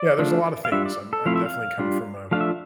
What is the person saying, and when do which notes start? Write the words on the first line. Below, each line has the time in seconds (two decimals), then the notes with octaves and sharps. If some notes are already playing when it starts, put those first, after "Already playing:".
Yeah, there's a lotta things. I'm I'm definitely come from a
Already playing: D5
0.19 F3 A3 D4 F4
0.65 F5
0.72 G3 D4 F4 E5
0.86 D5
1.13 A4
1.26 F3 A3 C4 E4 F5
1.36 E5
1.46 F5
1.79 G3 D4 F4
2.31 F3 A3 D4 F4 F5
2.41 E5